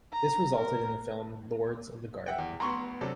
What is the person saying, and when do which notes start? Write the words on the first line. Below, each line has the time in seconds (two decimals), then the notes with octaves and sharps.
This resulted in the film "Lords of the Garden".
0.12 A#5
0.55 A#4
2.26 E5 F#5 G5
2.38 E2
2.60 F1 B3 A#5 C6 C#6
3.01 C3 F#3 D4 A4